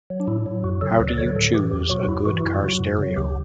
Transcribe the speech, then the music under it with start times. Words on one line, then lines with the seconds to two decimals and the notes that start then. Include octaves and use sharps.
How do you choose a good car stereo?
0.10 F#3
0.20 D4
0.27 A2 E4
0.46 F#3
0.64 F#2 F#4
0.81 C#3 F#3 A4
1.00 D2 B4
1.09 D5
1.18 D3 F#3 C#5
1.26 B4
1.35 A2 A4
1.53 E3 G4
1.71 E2 G4
1.90 B2 F#3 F#4
2.01 F#4
2.08 G2 E4
2.26 E3 F#4
2.40 F#2 E4
2.54 F#4
2.62 C#3 F#3
2.80 F#2
2.99 C#3 F#3
3.16 D2 G4